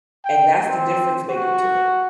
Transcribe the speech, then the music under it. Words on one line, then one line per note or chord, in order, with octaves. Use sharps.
And that's the difference maker to me.
G5
C4
F#4